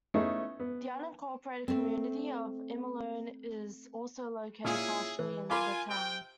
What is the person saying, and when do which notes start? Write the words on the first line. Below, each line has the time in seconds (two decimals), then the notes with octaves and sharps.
The unincorporated community of Imalone is also located partially in the town.
0.14 A3 B3 C#4 D#4 E4 G#4
0.60 B3
1.68 A3 C4
4.64 A#2 C#4 E4 F4 G#4
5.19 E3
5.50 F4 A#4 G#5 B5 D6
5.89 C3 G5